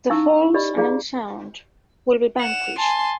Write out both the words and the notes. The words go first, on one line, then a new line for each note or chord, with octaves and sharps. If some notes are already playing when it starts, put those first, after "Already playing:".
The false and unsound will be vanquished.
C#4 D#4 E4 F5 C#6 E6
G4 D5 D#5 B5
E4 F4 G#4 D5 F5
F#5 E7 F7
G#5 A5 C6